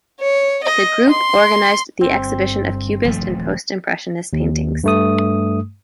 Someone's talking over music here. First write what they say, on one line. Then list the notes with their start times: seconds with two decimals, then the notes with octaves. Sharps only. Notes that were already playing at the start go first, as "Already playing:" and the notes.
The group organized the exhibition of Cubist and Post-Impressionist paintings.
0.20 C#5
0.64 D#5
1.10 C6
2.01 G1 C4
3.05 D#1 F3 A3
4.33 D#2
4.84 G2 A3 D#6